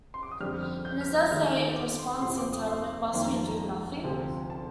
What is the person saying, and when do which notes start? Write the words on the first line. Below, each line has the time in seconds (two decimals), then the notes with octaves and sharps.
In his essay in response, entitled Must We Do Nothing?
0.14 C6
0.23 D6
0.31 D#6
0.40 F2 D3 G3 C4 F6
0.63 F6
0.85 G6
1.01 F6
1.16 G6
1.31 D#2 D#3 A3 D4 F4 F6
1.76 D6
1.99 C6
2.22 F2 C3 F3 C4 C6
2.37 D6
2.53 D#6
2.68 C6
3.13 F2 D#3 A#3 F4 C6
3.24 A#5
3.36 A5
3.47 A#5
4.04 D2 C3 F3
4.50 A5